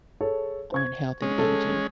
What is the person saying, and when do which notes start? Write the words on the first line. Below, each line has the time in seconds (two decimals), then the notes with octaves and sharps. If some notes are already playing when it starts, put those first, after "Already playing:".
on health and aging
0.21 G#4 A4 C#5
0.72 C5 C#6 G#6
1.22 G#3 C#4
1.38 A4